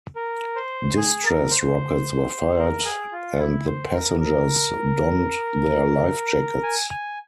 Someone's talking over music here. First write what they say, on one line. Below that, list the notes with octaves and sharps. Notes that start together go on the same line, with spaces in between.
Distress rockets were fired and the passengers donned their lifejackets.
A#4
C5
G#4
A#4
C5
A#4
G#4
F4
E4
C5
A#4
A#4
G#5
G#5